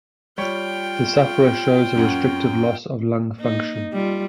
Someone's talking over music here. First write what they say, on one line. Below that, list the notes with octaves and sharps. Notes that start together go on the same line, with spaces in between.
The sufferer shows a restrictive loss of lung function.
G3 F4 C#5 G5
F#2 C#4 F#5
A#3 D#4
G3 F4